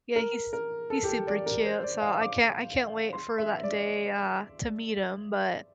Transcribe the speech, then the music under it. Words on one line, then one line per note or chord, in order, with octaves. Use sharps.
Yeah, he's he's super cute, so, I can't I can't wait for that day, uh, to meet him, but,
A#4
A#4
A4
G4
A4
D5
A#4
C5
D5
F5
D6
C6
E5
D5